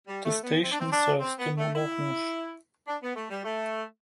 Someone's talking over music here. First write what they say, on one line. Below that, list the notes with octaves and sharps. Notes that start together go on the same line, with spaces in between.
The station serves the Moulin Rouge.
G3
A3
B3
C4
D4
C4
D4
C4
B3
A3
E4
D4
B3
A3
G3
A3